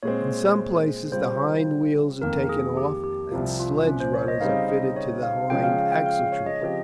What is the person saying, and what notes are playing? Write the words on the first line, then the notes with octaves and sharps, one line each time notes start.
In some places the hind wheels are taken off, and sledge runners are fitted to the hind axletree.
A#2 G#3 C4 C#5
C#3 G3 C4 F4 C5
F2 D#3 A#3 A#4
G#4
G4
G4
C2 C3 F3
F4
C#4
C5
C#5
D#5
C#3 G3 C4 D#4 F5
D#5
C#5
F5
C#3 F3 G#3 C#4 G5
F5
F5
G5
F5
C#5
D#5
C#3 F3 C4 G4